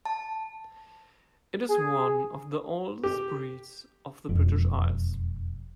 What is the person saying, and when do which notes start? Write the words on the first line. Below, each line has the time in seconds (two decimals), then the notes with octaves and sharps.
It is one of the oldest breeds of the British Isles.
0.05 A5
1.69 G#4
3.03 G4
4.29 E1 F2